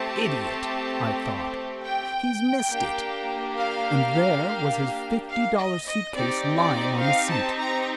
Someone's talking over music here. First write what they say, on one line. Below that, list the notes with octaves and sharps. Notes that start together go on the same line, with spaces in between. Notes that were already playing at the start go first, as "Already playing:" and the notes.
"Idiot," I thought, "he's missed it;" and there was his fifty-dollar suit case lying on the seat.
Already playing: A3 C4 G4 A5
G5
A#3 D4 G4
F5
F5
D#5
D#5
C4 D#4 G4 D5
D5
F5
A5
A#5